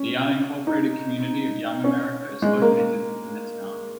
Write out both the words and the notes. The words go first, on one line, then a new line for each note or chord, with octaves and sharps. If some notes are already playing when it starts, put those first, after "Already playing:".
The unincorporated community of Young America is located in the town.
Already playing: C#4
D#4
C#4
G#3
A#3